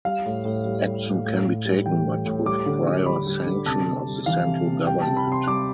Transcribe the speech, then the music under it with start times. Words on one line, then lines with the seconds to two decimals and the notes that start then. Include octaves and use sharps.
Action can be taken but with prior sanction of the Central Government.
0.05 G3 F5
0.26 A2
0.45 A2
0.65 G3
0.85 G3
1.06 A2
1.26 A2
1.45 A2
1.65 G3
1.86 E3 G5
2.05 A2
2.26 A2
2.46 G3 D6
2.66 D3
2.87 D3
3.06 G3 B5
3.27 G3
3.46 D3
3.66 C3 A5
3.87 C3
4.07 G3
4.26 E3 F5
4.47 C3
4.67 C3
4.87 G3 G5
5.01 A5
5.07 C3
5.17 B5
5.27 C3
5.32 C6
5.47 G3 D6